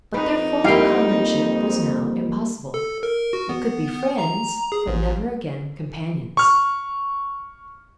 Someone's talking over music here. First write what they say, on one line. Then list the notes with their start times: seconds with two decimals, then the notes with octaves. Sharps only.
But their former comradeship was now impossible; they could be friends, but never again companions.
0.14 F2 D#4 B4
0.64 G3 A#3 E4 F5 G5
2.74 A4
3.03 A#4
3.33 F#4
3.49 B3
4.18 A#5
4.72 G#4
4.87 A1
6.37 C#6 F6